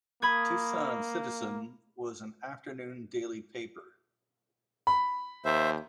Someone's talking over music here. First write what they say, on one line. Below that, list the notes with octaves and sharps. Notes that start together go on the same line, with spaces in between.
"Tucson Citizen": was an afternoon daily paper.
A#3 B5 D#6 G#6
B5
D#2 C5 E5